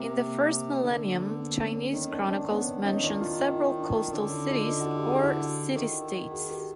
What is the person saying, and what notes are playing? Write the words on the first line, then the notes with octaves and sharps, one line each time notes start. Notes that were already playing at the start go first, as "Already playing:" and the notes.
In the first millennium Chinese chronicles mention several coastal cities or city-states.
Already playing: C3 A#3 C4
D3
B3
A#3 C4
B3 C#4
C4 D4
D#3 C#4 D#4
C4 D4
C4 D4
B3 C#4
C#4 D#4
D#3 D4 E4
D#4 F4
F4
E4
D#4
D4 E4
D3 C#4 D#4
D4 E4
D#4 F4
D#4 F4
E4 F#4
F4 G4
F#4 G#4
E4 F#4
D#3
F#4 G#4
G4 A4